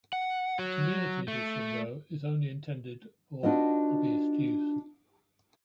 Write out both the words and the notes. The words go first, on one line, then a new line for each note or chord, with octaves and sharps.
The "community edition" though is only intended for hobbyist use.
F#5
F#3
A3
D4 D#4 F4 F#4 B4 D#5